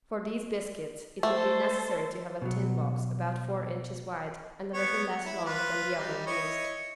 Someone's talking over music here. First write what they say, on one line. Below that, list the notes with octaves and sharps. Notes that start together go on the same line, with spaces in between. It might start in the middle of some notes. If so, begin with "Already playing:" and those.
For these biscuits it would be necessary to have a tin box about four inches wide and a little less long than the oven used.
A3 A4 C5
B2 F#3
B3 C#5
E4
F4 B4
G3 D#4
E4 C#5 D#5